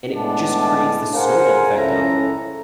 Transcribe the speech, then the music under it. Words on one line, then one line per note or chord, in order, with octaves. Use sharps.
and it just creates this snowball effect of
A2 G#3 B3 D4 D5 A5
G#4 A#4 C5 F5 F#5 G#5
C#2 C#4 E4 A4 E5 A#5